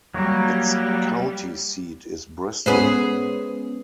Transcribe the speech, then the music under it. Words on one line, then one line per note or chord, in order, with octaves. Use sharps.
Its county seat is Bristol.
F#3 G3 A#3 C#6
G#3 B3 C#4 G#4 B4 C5